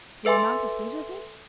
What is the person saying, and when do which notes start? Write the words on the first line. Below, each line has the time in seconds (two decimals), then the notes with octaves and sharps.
"You are not displeased with me?"
0.25 A4 B4 E5 G#5 C6